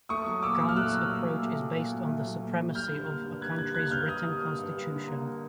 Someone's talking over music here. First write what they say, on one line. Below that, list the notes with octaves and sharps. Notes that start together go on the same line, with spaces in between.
Kant's approach is based on the supremacy of a country's written constitution.
A3 C#6 D#6
F#3
A#2 D6 E6
A#2
F6
A3 E6 F#6
F#3
A#2
A#2
A3
F#3
A#2
A#2
A3
F#3
A#2
A#2
G3 F6 G6
D3
A#3
G2
G3 F#6 G#6
D3 F#6 G#6
A#3 F#6 G#6
G2 F6 G6
G3 D#6 F6
D3
A#3
G2
G3
D3
A#3